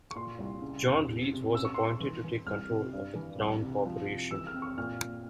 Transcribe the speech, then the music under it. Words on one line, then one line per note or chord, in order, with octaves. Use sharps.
John Reith was appointed to take control of the Crown corporation.
C#6
A#2 C6
C2
C#3
E2
C3
C3
C#4 E6
C#6
C#4 C6
C#6
E3
E3
C2 F6
C3
G2
E3
C2
C3
F3
C3
E3 E6
F6
C4
C#6
A#2 F6
A#2